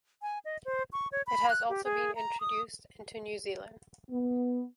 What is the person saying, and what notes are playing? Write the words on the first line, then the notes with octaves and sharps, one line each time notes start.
It has also been introduced into New Zealand.
G#5
D#5
C5
C#6
C#5
B5
F#6
G4
G#4
A#5
D#6
B3